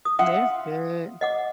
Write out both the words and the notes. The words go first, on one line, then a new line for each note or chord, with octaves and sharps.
That's good.
D#6
F4 E5 F#5 D#6
D#5 F#5 D6